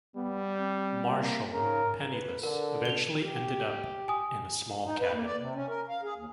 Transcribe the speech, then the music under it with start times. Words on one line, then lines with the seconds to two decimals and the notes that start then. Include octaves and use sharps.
Marshall, penniless, eventually ended up in a small cabin.
0.16 G3 B3
0.57 C4
1.06 A#3
1.53 G#2 C#3 A#4
2.13 B4
2.43 D3 A#4
2.85 F7 G7
3.23 G4
4.08 G#5 D#6
4.85 D#4
5.01 B4
5.14 A#3
5.25 D5
5.39 C3
5.55 C#4
5.69 A#4
5.89 F5
6.03 G#4
6.16 D#2